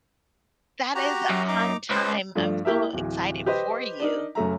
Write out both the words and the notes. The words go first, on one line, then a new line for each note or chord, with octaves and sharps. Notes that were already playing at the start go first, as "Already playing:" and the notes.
That is a fun time. I'm so excited for you.
F#4 G4 A#5
F#2
D#4 A#5 D6
C#2 B4 C5
G2 F3 A3 D5
A#3 E4 G4 A#4 E5
D1 E3
G4 B4 C5 D#5
D4 D#4 A#4
F#1 F#2 A3 E5 A#5